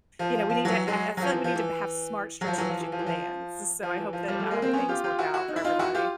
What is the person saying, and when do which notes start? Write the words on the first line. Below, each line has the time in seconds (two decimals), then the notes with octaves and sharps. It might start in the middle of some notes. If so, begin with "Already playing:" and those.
you know, we need to I I feel like we need to b have smart strategic plans. S so I hope that, um, things work out for everybody.
0.19 F3
0.35 F3
0.50 F3
0.65 E3 F#3
0.87 F#3 G#3
1.17 F#3
1.21 F3
1.33 E3
1.44 F3
1.56 E3
2.41 F#3
2.47 F3
2.58 E3 F#3
2.69 F3
2.81 E3
2.92 F3
2.99 E3
3.07 F3
3.83 F3
3.98 E3
4.13 F3
4.28 F3 G3
4.39 G3 A3
4.51 G#3 A#3
4.62 A#3 C4
4.73 B3 C#4
4.89 F4 G4
5.04 F4 G4
5.19 E4 F#4
5.34 E4 F#4
5.48 D#4
5.56 E4
5.64 D#4 F4
5.79 E4 F#4
5.94 F4 G4